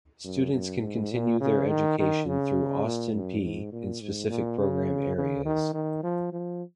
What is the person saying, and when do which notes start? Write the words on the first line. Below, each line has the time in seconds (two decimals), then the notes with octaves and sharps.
Students can continue their education through Austin Peay in specific program areas.
0.24 F#2
0.53 F#2
0.82 G#2
1.12 A#2
1.40 C#3
1.69 D#3
1.99 D#3
2.27 C#3
2.85 A#2
3.14 F#2
3.43 G#2
3.72 A#2
4.01 G#2
4.29 A#2
4.59 C#3
5.17 C#3
5.45 D#3
5.74 D#3
6.03 F3
6.33 F3